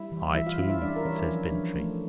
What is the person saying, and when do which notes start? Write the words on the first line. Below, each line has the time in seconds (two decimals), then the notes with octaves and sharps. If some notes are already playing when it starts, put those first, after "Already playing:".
"I, too!" says Bintrey.
Already playing: G3 E4 E5
0.12 E3
0.35 E3 E4 E5
0.46 F4 F5
0.58 C#4 F4 F5
0.70 E4 E5
0.82 G3 D4 D5
0.96 A#4
1.05 E3 C#4 C#5
1.29 F3
1.52 D4
1.75 A3